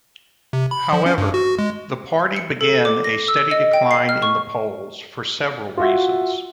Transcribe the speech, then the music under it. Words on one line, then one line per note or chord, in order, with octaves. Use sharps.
However, the party began a steady decline in the polls for several reasons.
C3
B5
F3
C#4
G2
F#4
G#3
C#7
A4
D6
A#6
E6
D#5
G5
C7
F6
C#6
F4 F#4 E5